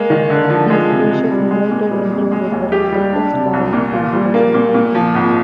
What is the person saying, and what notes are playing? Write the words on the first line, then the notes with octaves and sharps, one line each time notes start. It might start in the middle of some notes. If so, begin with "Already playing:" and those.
These spacious, moated enclosures were among the first bar-less exhibits in the country.
Already playing: G#3 A#3
D#3
D3
F3
G#3
C3
C3
G3
G#3
A#2
G3
F2
G#3
D#2
G4
G3
D4
C3
C2
A#2
F4
G3
A#3
A#2
A#2
F3
G#1